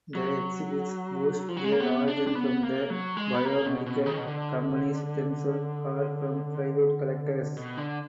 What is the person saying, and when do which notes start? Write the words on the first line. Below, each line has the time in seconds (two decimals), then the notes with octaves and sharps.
The exhibits boast their origin from the biomedical companies themselves or from private collectors.
0.15 F#3
1.48 F3
1.57 F#3
1.64 G#3
1.72 A#3
1.80 B3
2.08 D4
2.27 D4
2.35 B3
2.63 A#3
2.90 F#3
3.17 G#3
3.34 B3
3.45 A#3
3.66 B2
3.86 B2
4.06 D#3
4.18 B2
4.27 D3
7.57 B2
7.77 D3